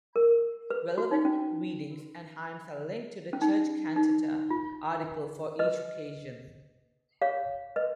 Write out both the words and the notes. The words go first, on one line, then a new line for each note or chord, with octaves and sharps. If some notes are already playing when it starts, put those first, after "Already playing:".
Relevant readings and hymns are linked to the church cantata article for each occasion.
A#4
B4
F#4
D#4
C#4
C#4
D#4
D#4
F4
B4 D#5
C#5 F5
B4 D#5